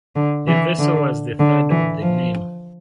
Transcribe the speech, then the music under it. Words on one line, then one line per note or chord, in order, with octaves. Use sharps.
The vessel was the third of the name.
D3
E3
D3
D3
E3
F3